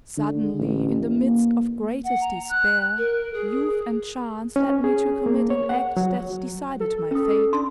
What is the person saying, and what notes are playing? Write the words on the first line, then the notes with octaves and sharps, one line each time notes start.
SUDDENLY, in the midst of greatest despair youth and chance led me to commit an act that decided my fate.
D3
A1
A#3
F#5
A#5
F#6
A#4
G#4
C#4
G#4
A#3
C#5
F#5
F#3
A4
C#4 A4 D#6
D4 C6